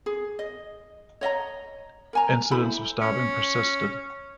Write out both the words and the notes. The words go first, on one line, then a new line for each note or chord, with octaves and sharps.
Incidents of stabbing persisted.
G#4
D#5
C#5 D#5 E5 A#5
A#4 G#5 A#5
E4 A4 C5 B5
C#4